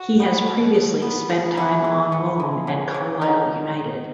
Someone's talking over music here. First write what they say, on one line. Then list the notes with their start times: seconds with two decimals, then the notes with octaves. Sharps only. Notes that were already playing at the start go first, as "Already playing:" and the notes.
He has previously spent time on loan at Carlisle United.
Already playing: F#4
0.20 B3
0.47 B2
0.75 B2
1.02 B3
1.30 B3
1.57 B3 E4
1.84 G#3
2.12 B3
2.40 G#3
2.67 C#3
2.94 C#3
3.21 C#3 D#4